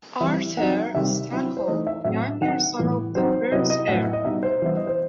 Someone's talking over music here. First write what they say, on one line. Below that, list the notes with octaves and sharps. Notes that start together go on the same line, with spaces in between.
Arthur Stanhope, younger son of the first Earl.
E3 G3 C4 E5
F#3 C4 D#4 F#5
C3 D#3 G3 C4 E5
F#3 C4 E4
C5
E3 A3 D#4 D#5
E5
A2 F#3 C4 E5
D#3 F#3 C4 F#5
A2 E3 B3
F#3 C4 D#4 C5
C3 F#3 B3 E4 D#5
D#5
A2 F#3 B3 E4 F#5
E5
D#5
B2 G3 D#4 E5
C5
E3 G3 B3 E4 E5
D#5
C5